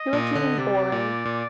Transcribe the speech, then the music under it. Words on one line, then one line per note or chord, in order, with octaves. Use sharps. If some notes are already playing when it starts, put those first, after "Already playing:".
You're getting boring.
Already playing: D#5
A#2
D3
C3 D5
A#2
A#2